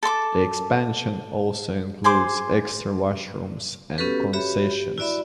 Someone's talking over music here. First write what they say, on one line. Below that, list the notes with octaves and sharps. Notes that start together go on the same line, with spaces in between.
The expansion also includes extra washrooms and concessions.
A4 A5 C6 D6
G#4 C5 C6 D6
B3 C#4 F#4 G4 A4 B4
F#4 G4 C#5 E5 B5
G4
E4 F#4 D5 E5 B5